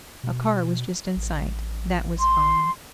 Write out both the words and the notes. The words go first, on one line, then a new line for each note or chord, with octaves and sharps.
A car was just in sight--that was fine!
B2
A1
C6